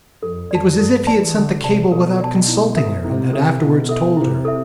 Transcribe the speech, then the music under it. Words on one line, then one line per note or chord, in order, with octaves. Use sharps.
It was as if he had sent the cable without consulting her and had afterwards told her.
F2 A4
F2 D5 A5
G2 A4
E3 D5 A5
D3 A4
C3 D5 A5
B2 A4
D5 A5
E4
A4 E5
C3 E4
A4 E5
B2 E4
A4 E5
C3 E4
A4 E5